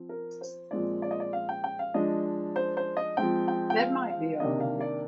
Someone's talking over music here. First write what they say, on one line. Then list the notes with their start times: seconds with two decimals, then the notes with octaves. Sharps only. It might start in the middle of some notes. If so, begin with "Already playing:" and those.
That might be all right.
Already playing: F3 C4
0.09 A#4
0.41 C5
0.71 A#2 F3 G#3 C4 D5
1.02 D5
1.11 D#5
1.20 D5
1.33 F5
1.49 G5
1.64 G5
1.79 F5
1.94 F3 G#3 D4 D#5
2.56 C5
2.77 C5
2.97 D#5
3.17 F3 G#3 C4 G5
3.48 G5
3.70 G5
3.79 F5
4.10 F5
4.40 C3 D#3 A#3 D4 D#5
4.60 F5
4.81 D5